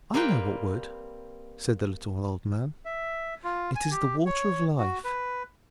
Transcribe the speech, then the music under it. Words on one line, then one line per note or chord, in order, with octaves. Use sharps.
'I know what would,' said the little old man; 'it is the Water of Life.
G3 A#3 C4 B4 G5
E5
F4
G#5
G4
C#5
F#4
B4